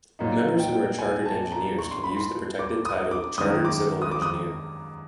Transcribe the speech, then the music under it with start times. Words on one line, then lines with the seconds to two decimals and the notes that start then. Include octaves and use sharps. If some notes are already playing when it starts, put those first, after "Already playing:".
Members who are Chartered Engineers can use the protected title Chartered Civil Engineer.
0.19 A#2 F#3 A#3 D#4
0.60 G5
0.99 G#5
1.25 A5
1.52 A#5
1.79 C#6
1.91 C6
2.04 B5
2.17 C6
2.59 D6
2.85 D#6
3.11 D6
3.38 F#2 D#3 G#3 D#6
3.65 D6
4.02 D#6
4.11 D6
4.22 D#6